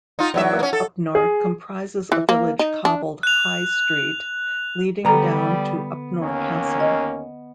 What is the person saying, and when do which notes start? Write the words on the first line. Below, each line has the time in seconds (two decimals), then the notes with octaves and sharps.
Upper Upnor comprises a village cobbled high street leading down to Upnor Castle.
0.19 D#4 F4
0.34 E2 F#3 E5
0.59 A#3 C#4
0.73 A4
1.15 G#4
2.12 E3
2.29 A#3
2.59 D#4
2.85 D4
3.23 F#6 F7
5.05 D3 G3 B3 A4 A#5
6.20 D#2 A#3 C#4
6.80 D#5